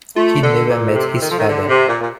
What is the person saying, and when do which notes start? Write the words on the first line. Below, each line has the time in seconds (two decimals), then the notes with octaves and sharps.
He never met his father.
0.16 A3 F4
0.43 D3 A4
0.69 A#2
0.96 C3
1.22 D#3
1.31 F3
1.38 D#3
1.49 D3
1.68 C3
1.88 A#2
2.01 A#2